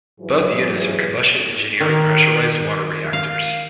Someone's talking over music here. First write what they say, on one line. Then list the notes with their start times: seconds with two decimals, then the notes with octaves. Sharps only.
Both units are Combustion Engineering pressurized water reactors.
0.21 G#2 E3 F#3 E4 G#4 B4
1.80 D#3
3.13 F5